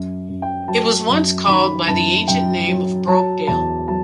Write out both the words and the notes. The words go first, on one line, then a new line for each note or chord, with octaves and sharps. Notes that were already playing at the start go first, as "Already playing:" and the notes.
It was once called by the ancient name of 'Brokedale'.
Already playing: F#2
F#2
G5
F#3 A5
F#2
D#3 B5
F#2 A5
F#2 G5
F#3
F#3 A5
E2 A5
F#3 A5